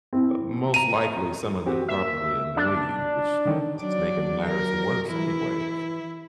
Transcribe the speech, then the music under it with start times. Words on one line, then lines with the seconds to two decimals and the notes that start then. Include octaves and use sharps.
uh, most likely, some of them probably annoy you, which is making matters worse anyway.
0.13 C4 E4
0.74 A#5 D#7 F7
1.66 C4 F#4 G4
1.88 A#3 E5
2.57 D4
3.45 D3 D#3 C#4
3.81 F#3 D4 D5
4.45 A#4
5.09 E3 E4